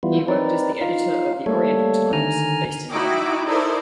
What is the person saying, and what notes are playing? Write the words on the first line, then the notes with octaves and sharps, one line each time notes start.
He worked as the editor of The Oriental Times based in London.
E3 G3 B3 E4 F4
C4 D#4 A#4 B4 D5
D#4 F4 F5
G3 A3 A#3 A4 C#5
D3 D#3 G#5 A#5 F6
D#4 E4 F#4 G5 D6
D#4 E4 A4 A#4 C5 D5